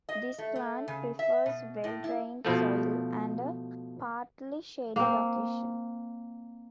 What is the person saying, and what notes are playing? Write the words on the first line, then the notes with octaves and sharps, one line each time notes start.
This plant prefers well drained soil and a partly shady location.
D#5
A3
A3
C#3
E5
B2
A2
E4
B2 F3 A3
A#3 C4